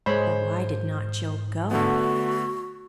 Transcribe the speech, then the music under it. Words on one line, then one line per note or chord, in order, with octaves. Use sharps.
Or why did not Job go?
G#2 G#3 C5 C#5 B5
D3 A3 B3 F#4